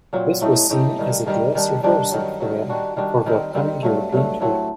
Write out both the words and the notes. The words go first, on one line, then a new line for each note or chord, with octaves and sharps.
This was seen as a dress rehearsal for the upcoming European tour.
A#2 F#3 C4
A2 A3 D#4 G4
A2 A3 D#4 G4
G2 D#3 G3
G2 D#3 G3
G2 D#3 G3 D4
G2 D#3 G3 D4
G2 D#3 F#3
G2 D#3 F#3
D#3 G3 D4 F#4
D#3 G3 D4 F#4
D#3 G3 C4
D#3 G3 C4
G2 F#3 A3
G2 F#3 A3
A2 F#3 A3 C4